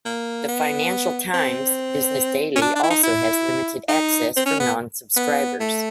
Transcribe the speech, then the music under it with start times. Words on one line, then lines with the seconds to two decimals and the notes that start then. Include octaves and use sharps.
"The Financial Times" business daily also has limited access for non-subscribers.
0.05 A#3
0.48 B3
1.34 C4
2.56 C#4
2.62 D4
2.75 D4
2.83 E4
2.90 D#4
3.03 E4
3.89 D#4
4.36 C4
4.46 C#4
4.60 B3
5.17 B3
5.60 A3